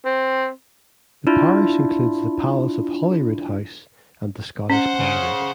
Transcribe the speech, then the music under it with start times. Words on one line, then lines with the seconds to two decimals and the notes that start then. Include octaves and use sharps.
The parish includes the Palace of Holyroodhouse and the Scottish Parliament.
0.05 C4
1.27 D4 E4 F4
4.70 C#4 C5 F#5
5.00 C#3